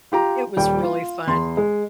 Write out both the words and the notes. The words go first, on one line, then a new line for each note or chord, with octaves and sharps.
It was really fun.
F4 G4 A#5
D#1 G3 G5
F4
E2 C6
G#3